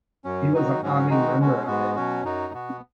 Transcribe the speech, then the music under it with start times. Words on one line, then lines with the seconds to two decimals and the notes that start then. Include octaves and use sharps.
He was a founding member of it.
0.24 F#2 F#3 C#4
0.53 D#3 F#3 D#4 F#4
0.82 G#2 F#3 C#4 F#4
1.09 D#3 G#3 D#4 F#4
1.39 B2 G#3 C#4 F#4
1.67 G#2 G#3 B3 F#4
1.96 B2 F#3 C#4 F#4
2.24 F#2 F#3 D#4 F#4
2.53 B2 B3 F#4